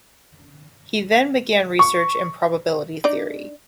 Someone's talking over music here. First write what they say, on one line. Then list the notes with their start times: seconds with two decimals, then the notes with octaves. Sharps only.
He then began research in probability theory.
1.79 C#6
3.04 D4 D#4 D5